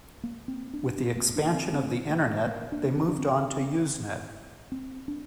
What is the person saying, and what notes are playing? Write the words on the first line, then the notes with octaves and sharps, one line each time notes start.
With the expansion of the Internet they moved on to Usenet.
A#3
C4
D4
C4
A#3
D4
C4
C4
A#3
A#3
D4
C4
D4
C4
C4
D4